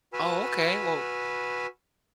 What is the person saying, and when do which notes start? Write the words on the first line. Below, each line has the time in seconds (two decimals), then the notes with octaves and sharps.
Oh, okay. Well
0.13 F#4 B4 G#5 B5 E6 F6